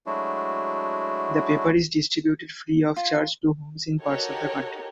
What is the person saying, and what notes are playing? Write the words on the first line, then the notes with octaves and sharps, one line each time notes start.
The paper is distributed free of charge to homes in parts of the country.
F#3 G#3 A3 D4 E4 F#4
F4
D#4 F#4 G4 A4 A#4 C#5